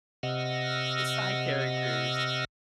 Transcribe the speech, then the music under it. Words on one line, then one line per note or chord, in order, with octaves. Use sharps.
the side characters.
C3 D#5 F#5 E6 F6